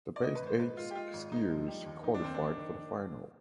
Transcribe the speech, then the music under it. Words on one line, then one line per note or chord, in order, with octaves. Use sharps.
The best eight skiers qualified for the final.
D5
G#1 D#5
B4
G#1
C5
G#3 B4
G#3 F4
G4
G#3 F4
G#1
G#3 D#4
F3
G3
D#2
D#3 D#4
D4
D#2 C4
D4
D#3
D#3
D#3